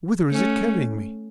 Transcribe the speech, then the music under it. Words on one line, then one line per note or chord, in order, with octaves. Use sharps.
Whither is it carrying me?
A3 C#4